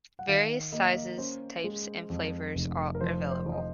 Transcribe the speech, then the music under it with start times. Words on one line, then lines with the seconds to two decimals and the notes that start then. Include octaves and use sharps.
Various sizes, types and flavours are available.
0.19 F#5
0.27 D#3 F5
0.72 A#3 D#5
0.83 F5
0.93 D#5
1.18 C#4 C5
1.64 G#3
2.10 F2
2.55 F1
2.95 A#4
3.01 F3 C5
3.31 C5
3.46 F3
3.52 D#5